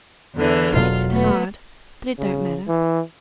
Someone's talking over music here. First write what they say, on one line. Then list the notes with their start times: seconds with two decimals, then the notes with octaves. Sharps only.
Makes it hard; but it don't matter.'
0.36 E2 D3 E3
0.74 E1 B2 F#3 F4
1.08 A3 B3
2.18 C#3
2.68 E3